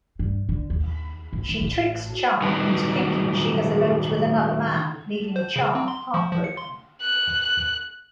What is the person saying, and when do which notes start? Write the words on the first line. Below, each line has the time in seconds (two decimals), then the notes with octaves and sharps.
She tricks Char into thinking she has eloped with another man, leaving Char heartbroken.
0.19 G2
0.49 D3
0.70 D#2
1.33 F#1
1.49 D#3
1.61 A1
2.42 D#3 F#3 G3 D#4 A4 B4
5.36 C5
5.56 C#3
5.75 C4
5.88 C6
6.14 F3
6.32 F3
6.44 C#7
6.57 C6
7.01 F#6